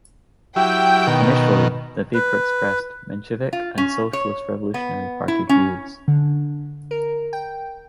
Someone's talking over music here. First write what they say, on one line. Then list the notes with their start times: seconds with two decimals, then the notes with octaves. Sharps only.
Initially, the paper expressed Menshevik and Socialist-Revolutionary Party views.
0.56 F#3 E4 G4 G5
1.07 B2 D#3
2.14 B4
3.53 F4
3.78 C#4
4.13 C#5
4.74 B3
5.28 E4
5.49 C#4
6.08 D3
6.91 A#4
7.33 G5